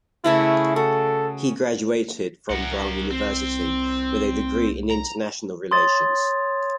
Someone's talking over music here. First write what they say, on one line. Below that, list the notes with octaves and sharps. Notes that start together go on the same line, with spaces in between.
He graduated from Brown University with a degree in International Relations.
C#3 A3 E4 B4
F#4 A4
C2 A#4 F#5
C4
A#5
C#5 C6 D#6 A6